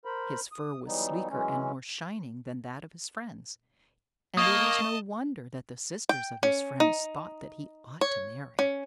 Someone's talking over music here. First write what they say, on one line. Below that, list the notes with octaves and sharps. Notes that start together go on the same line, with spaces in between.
His fur was sleeker and more shining than that of his friends, and it is no wonder that the sisters of his friends thought that he ought to marry.
A#4 C5 B5
D#6
E3 F#3 G3 B3 D#4
E3 F#3 G#3 C#4
A#3 D#5 A5 C#6 D#6
G5
C#4
D#4
C#5
C#4